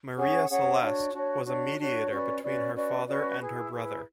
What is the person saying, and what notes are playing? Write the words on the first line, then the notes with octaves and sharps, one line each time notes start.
Maria Celeste was a mediator between her father and her brother.
C#4 G#4 C#5 F#5
C#4 G#4 C#5 F#5
D4 F#4 C#5
D4 F#4 C#5
D4 F#4 C#5
D4 F#4 C#5
C#4 F#4 B4 D5
C#4 F#4 B4 D5
C#4 F#4 B4 D5
C#4 F#4 B4 D5
E4 G#4 B4
E4 G#4 B4